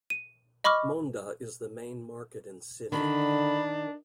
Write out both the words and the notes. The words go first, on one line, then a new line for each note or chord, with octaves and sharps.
Mondha is the main market in city.
D#7
D#5 B5 C#6 D6 F6
D3 D#3 D4 B5